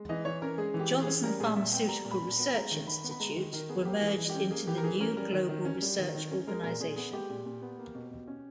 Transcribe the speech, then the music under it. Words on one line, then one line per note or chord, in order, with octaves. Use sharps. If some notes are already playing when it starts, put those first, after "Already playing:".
Johnson Pharmaceutical Research Institute were merged into the new global research organization.
Already playing: G#3
E3 D#5
E3 C#5
C#4 A#4
G#3 G#4
E3
G4
E3
G#4
C#4
G3 A#4
A#2 G#4
A#2 E5
B3 G5
G3 A#5
A#2
B5
A#2
B5
B3
G#3 A#5
D#3
D#3 B5
B3
B5
G#3 A#5
D#3
D#3 A#4
B3 G#4
A#3 G4
E3
G#4
E3
G4
C#4
A#3 G#4
E3 G4
A#4
E3 G#4
C#4 A#4
G3 A#4
D#3
D#3
C#4
G3
D#3
D#3
C#4
G#3 A#4
A#2 A#4
A#2 G#4
B3 G#4
G#3 G4
A#2
A#2
B3
A#3
B2
B2
C#4